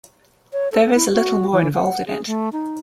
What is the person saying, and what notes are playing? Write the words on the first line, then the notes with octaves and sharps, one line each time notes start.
There is a little more involved in it.
C#5
A4
E4
F#4
E3
F#5
G#4
A3
D#4